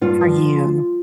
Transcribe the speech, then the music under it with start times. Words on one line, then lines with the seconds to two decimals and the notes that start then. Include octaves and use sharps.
for you.
0.01 G2 F4
0.21 F3